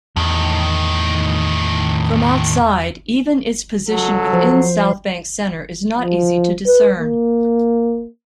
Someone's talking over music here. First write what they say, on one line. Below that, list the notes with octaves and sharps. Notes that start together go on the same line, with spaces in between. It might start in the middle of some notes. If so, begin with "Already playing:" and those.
From outside, even its position within Southbank Centre is not easy to discern.
E2 A2 D#3
C#2 F#3 A4
F3 C5
F3
B4
A#3